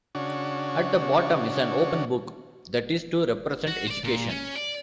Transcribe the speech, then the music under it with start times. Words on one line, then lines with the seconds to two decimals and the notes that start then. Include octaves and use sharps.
At the bottom is an open book that is to represent education.
0.15 C#3 D4 F#4 C#5
3.67 F#4
3.87 C5 D5
4.04 A#2
4.29 C#4
4.56 D5